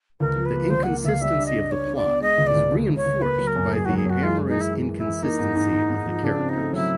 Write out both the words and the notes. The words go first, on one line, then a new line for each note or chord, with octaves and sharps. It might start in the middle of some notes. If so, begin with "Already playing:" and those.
The inconsistency of the plot is reinforced by the amorous inconsistency of the characters.
C#2 A#4
F3
B4
A#3
C#2 C5
A#3 F#5
C#2 E5 F5
G3 E5
D4
D#5
D4
D4 C#5
D4
D5
B3
G#3 D#5
C#2
D5
C#2
C#2
C#2
C#5
C#2
A#3 B4
F#3
A#4
F#2
A#3 G#4
F#3 F#4
G#4
F#2 F#4
G#3 F4
G#3
D#4
E3 E4
E3
E3
E4
E3
A#3 D#4
G#2
G#2
G#2
G#2
F3
C#3 D4
C4
D#4
A3
F#3 E4